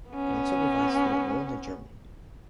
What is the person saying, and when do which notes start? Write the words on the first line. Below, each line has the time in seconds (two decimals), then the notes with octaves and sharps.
It also provides student loans in Germany.
0.11 B3 C#4